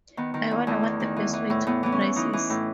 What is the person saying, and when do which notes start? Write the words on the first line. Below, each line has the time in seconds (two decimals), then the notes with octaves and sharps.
I wonder what the best way to cook rice is.
0.17 D#3 B3
0.34 D#3
0.51 E2
0.67 E2 A3
0.83 D#3
1.00 D#3
1.16 E3
1.33 E3
1.50 A2
1.67 A2 B3
1.83 E3 B3
1.92 C#4
2.01 E3
2.16 E3 D#4
2.33 E3
2.50 A2